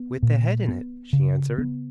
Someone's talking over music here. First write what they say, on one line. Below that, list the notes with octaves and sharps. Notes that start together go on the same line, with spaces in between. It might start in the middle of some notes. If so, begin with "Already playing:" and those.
"With the head in it," she answered.
Already playing: B3
A#2
B3
C#3
B3